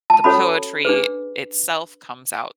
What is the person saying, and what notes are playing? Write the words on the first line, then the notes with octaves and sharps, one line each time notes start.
the poetry itself comes out
A5
C#4 F#4 A4 C#5 B5
D4 G#4 B4